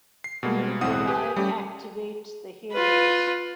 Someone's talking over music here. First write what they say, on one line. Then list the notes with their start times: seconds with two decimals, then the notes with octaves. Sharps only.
You deny activate the heroes.
0.24 C7
0.43 B2 G3 G#3 A#3
0.81 B1 E2 A2 C4 F#5 D#6
1.07 G4 B4 G#5
1.36 G3 A3 C#4 G4
2.72 F4 B4